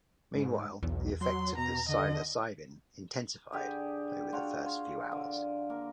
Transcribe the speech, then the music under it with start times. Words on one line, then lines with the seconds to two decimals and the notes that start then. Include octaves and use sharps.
Meanwhile, the effects of the psilocybin intensified over the first few hours.
0.35 G#2
0.83 B1 E2
1.21 F#3 C6
1.57 B2 A#5
1.89 D3 D#5
3.52 D3 G4 G#4
4.32 D4 F4 F#4 C#5
4.66 F4
5.12 D3
5.70 A#3 A#4